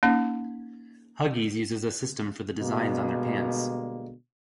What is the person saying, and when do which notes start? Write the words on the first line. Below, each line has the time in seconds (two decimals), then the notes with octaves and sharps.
Huggies uses a system for the designs on their pants.
0.03 A#3 C#4 D#4
2.60 B2 D3 G3 G#3 A#3